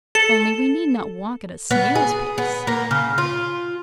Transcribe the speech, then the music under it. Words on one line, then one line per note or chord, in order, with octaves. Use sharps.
Only we need not walk at a snail's' pace.'
A4
B3
G#4
B3
A#3
C#3
F4